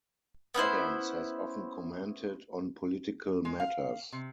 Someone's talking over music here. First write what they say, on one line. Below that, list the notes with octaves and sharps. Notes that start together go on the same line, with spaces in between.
Adams has often commented on political matters.
B3 C#4 E4 C5
G#3
F5
C3